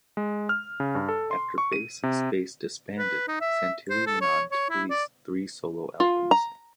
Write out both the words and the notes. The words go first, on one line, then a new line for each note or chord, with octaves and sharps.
After Bass is Base disbanded, Santilli went on to a release three solo albums.
G#3
F6
C#3
G2
A4
C6
C#6
D#7
C3
B4
D#4
E5
C5
A4
C#5
C#5
E4
D5
F4
A#5